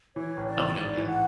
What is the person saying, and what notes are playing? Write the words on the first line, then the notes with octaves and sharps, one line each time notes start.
Oh no, yeah.
E3 C#5
A1
D5
A1
G#2 D5
E3
F#5